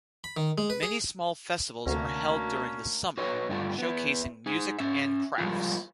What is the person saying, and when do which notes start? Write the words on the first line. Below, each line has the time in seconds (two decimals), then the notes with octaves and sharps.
Many small festivals are held during the summer, showcasing music and crafts.
0.24 B5
0.37 D#3
0.58 G#3
0.70 B4
0.83 G#4
1.86 D2 C3 A3 A#3 C#4 D4 F#4 A#6
3.18 F#4 B4 C#5 D#5
3.49 G2 D3 A3 D4 F4
3.79 B3 E4
4.46 D#4 G#4
4.78 C#4 E5
5.38 F3 G3 G#3 A#3 E4 F4